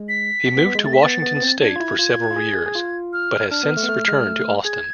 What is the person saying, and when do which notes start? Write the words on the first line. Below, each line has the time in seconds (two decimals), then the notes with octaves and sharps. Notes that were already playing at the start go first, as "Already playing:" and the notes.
He moved to Washington state for several years, but has since returned to Austin.
Already playing: G#3
0.09 B6
0.56 B3
0.66 B3
0.75 G#3
0.84 A3 A6
0.93 B6
1.03 B3 A6
1.22 B3
1.37 B3
1.42 C4
1.61 D4 G#6
1.76 F4
1.80 E4
1.99 F4
2.31 F4
2.36 G#4
2.66 G#4
2.75 F4
3.13 F6
3.51 D4 F6
3.63 B3
3.77 A3
3.83 B3
3.88 A3
4.08 G#3
4.26 A3
4.65 G#4 G#6